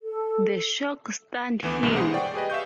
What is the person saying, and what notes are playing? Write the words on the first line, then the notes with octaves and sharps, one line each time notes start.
The shock stunned him.
A4
D2 E3 B3 D6
C2 G2 B2 E3 G#3 A#3
G#4 C5 F#5
D5 G5 C#6
G4 G#4 B4 D#5
E5 F5 C#6 G6